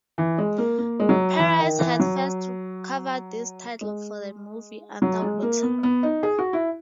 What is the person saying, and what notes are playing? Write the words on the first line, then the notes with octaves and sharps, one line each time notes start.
Perez had first covered this title for the movie Underwater!
E3
G#3
A#3
A#3
G#3
F#3
E3
D#3
E3
F#3
G#3
F#3
G#3
A#3
B3
B3
D#4
G#4
F#4
E4